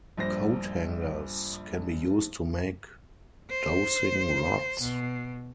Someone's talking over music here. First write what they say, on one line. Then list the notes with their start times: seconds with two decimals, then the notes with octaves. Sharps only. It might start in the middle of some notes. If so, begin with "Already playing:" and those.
Coathangers can be used to make dowsing rods.
0.17 A#1 G2 C5 A#6
3.50 C5
4.82 B2